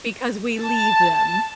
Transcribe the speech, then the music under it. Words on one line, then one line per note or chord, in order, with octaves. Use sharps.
Because we leave them.
A5